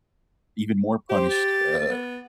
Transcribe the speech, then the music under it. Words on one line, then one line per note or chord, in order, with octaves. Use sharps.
even more punished, uh,
G4 C5
A6
B3